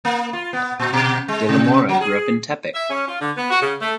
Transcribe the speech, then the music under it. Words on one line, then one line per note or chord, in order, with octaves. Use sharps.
De la Mora grew up in Tepic.
A#3
F4
B3
A#2
B2
G#3
C3
F#3
G#4
E5
C#4
F4
D3
B3
F#4
C#3
A3